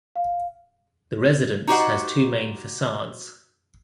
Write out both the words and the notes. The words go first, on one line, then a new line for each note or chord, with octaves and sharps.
The residence has two main facades.
F5
D#4 F#4 G4 C5 D#5 F#5